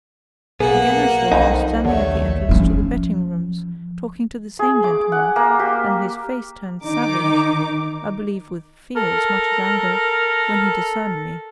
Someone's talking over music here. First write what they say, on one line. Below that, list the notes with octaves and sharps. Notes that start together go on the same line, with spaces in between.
Again I saw him, standing at the entrance to the betting rooms, talking to the same gentleman, and his face turned savage--I believe with fear as much as anger--when he discerned me.
B1 A#3 B3 G#4 F#5
B1 F2 D#4
D#2 D3 A3 C#5
F3 C#4
G#4
D6
F#5
A#3
G4
D#3 D#4 D6
A4 A#4